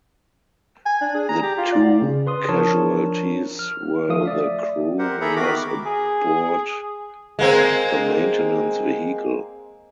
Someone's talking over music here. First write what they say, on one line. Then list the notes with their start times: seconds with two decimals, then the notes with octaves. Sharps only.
The two casualties were the crew members aboard the maintenance vehicle.
0.86 G#5
1.01 D4
1.14 G#4
1.29 A#5
1.43 G4
1.58 F4
1.72 D5
2.02 C#3
2.27 B4 C6 D#6
2.49 F3 D4 A#4 C#5 A5
3.59 F6
4.08 F3 A3 F5 D#6
4.25 D5 E5
4.99 G4 A#4 C5 F#5
5.21 G#4 A4 E5 A#5 B5
5.36 D#3 B3 F#4 A#4 B5 D6
5.56 D6
5.86 G#4
7.39 G#3 A#3 C4